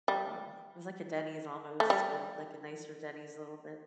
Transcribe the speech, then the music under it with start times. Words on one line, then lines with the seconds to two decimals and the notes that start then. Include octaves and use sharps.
Um, it was like a Denny's almost, kind of like a nicer Denny's a little bit
0.08 G3
1.80 A3
1.90 G3